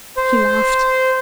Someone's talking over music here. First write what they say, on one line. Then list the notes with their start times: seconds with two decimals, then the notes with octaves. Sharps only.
He laughed.
0.17 C5